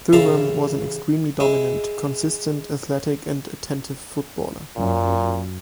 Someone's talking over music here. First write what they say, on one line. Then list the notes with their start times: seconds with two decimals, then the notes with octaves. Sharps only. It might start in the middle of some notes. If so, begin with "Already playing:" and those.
Thuram was an extremely dominant, consistent, athletic and attentive footballer.
0.13 A1 C#3 A#4 E5 F5 A5
1.40 G#3 E4
4.76 F#2 A#2